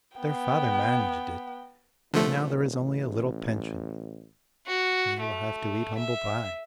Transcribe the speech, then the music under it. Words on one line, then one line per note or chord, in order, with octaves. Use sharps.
Their father managed it, but now there is only a little pension. They will have to eat humble pie.
B3 G5
D#1 D3 F3 A3
A1
F#4
A3
E5